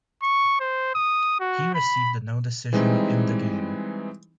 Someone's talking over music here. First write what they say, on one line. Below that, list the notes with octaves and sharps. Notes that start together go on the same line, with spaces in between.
He received a no-decision in the game.
C#6
C5
D#6
F#4
B5
E3 G3 G#3 C4 D#4 E4